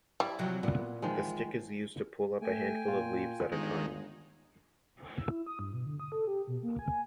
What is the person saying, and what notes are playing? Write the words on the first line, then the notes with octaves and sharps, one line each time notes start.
The stick is used to pull up a handful of leaves at a time.
G3 E4
C3 F3 F#3
A#2 B3
E2 D#3 F3 G#3
A3 G5 G#5
A#2 F4
G1 D#3 G#3
E6
E4
D#6
G2
B2
D3
D#6
A4
G4
B2
A#3
G#5